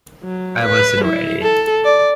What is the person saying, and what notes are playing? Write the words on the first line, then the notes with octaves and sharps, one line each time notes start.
I wasn't ready.
F#3
B4
E4
A4
D5